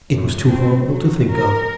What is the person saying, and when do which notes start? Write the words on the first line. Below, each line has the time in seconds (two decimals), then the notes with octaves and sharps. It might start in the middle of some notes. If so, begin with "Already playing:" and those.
It was too horrible to think of.
0.11 F#2
0.46 C4
0.85 F#3
1.31 A#4